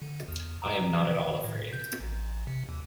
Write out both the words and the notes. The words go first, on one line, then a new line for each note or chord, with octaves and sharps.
I am not at all afraid.
D3
E2
A#5
D#3
A2
G6
A1
C3
D#2